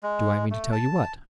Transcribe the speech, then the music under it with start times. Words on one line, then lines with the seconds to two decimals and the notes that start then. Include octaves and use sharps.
Do I mean to tell you what?'
0.03 G#3
0.51 A3
0.72 A5